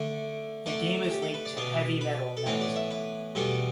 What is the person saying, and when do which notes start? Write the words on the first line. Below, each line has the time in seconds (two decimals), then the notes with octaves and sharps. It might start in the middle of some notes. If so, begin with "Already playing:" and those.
The game is linked to "Heavy Metal" magazine.
Already playing: D3 A3 D4
0.66 D3 A3 D4 A4
1.11 G4
1.22 A4
1.34 B4
1.45 D5
1.57 B2 B3 D4
2.01 B4
2.37 A4
2.46 A2 E3 B3 D4 B4
2.61 D5
2.76 E5
2.91 B4
3.35 E2 B2 G3 B3 D4 A4